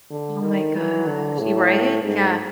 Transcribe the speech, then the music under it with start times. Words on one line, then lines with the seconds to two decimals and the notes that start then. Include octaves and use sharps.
Oh my gosh y right? Yeah.
0.11 D3
0.43 D#3
0.75 E3
1.07 D3
1.39 A2
2.02 G#2